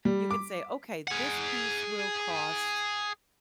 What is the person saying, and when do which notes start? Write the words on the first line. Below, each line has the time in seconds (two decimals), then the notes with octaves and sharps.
You can say, "Okay, this piece will cost
0.05 G3
0.31 D6
1.08 G#4 F#5